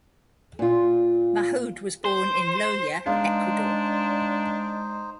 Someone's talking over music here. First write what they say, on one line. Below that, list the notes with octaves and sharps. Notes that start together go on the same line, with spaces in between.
Mahuad was born in Loja, Ecuador.
A#2 F4
C5
G#3 D4 D#4 C5 F5